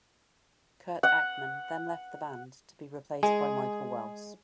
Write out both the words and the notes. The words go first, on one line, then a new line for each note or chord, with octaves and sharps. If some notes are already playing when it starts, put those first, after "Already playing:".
Curt Eckman then left the band, to be replaced by Michael Wells.
F#5
G#3 G#4